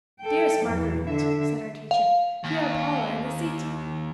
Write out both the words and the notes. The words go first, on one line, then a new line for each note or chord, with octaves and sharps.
"Dearest Marguerite," said our teacher; "Here are Paula and Lisita."
A4 G5
E2 E3
D3 E5
F5
D#2